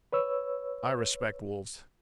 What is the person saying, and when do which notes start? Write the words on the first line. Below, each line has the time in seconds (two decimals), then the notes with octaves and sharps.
I respect wolves.
0.13 B4 C#5 E6